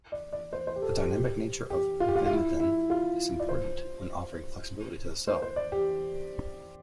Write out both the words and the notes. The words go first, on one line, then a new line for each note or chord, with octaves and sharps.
The dynamic nature of vimentin is important when offering flexibility to the cell.
D5
D5
C5
C5
G4
A4
G4
G4
G4
F4
G4
F4
F4
E4
E4
F4
D5
C5
C5
C5
D5
G4